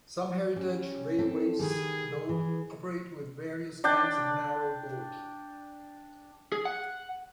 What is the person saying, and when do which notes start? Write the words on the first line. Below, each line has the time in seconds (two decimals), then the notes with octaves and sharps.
Some heritage railways, though, operate with various kinds of narrow gauge.
0.56 G3 C#4
1.19 C4 A4
1.59 D#3 G3 G#4
2.29 E3 G#4
3.84 D4 D5 G5
6.52 G#4
6.65 F#5